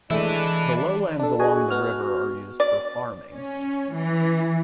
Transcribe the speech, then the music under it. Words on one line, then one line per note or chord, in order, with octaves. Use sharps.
The lowlands along the river are used for farming.
E3 G#3 A3 D4 E4 B4 E5
D4 A4
F#4 G#4 D#5 G#5
B3 F6
D5
C#4
E3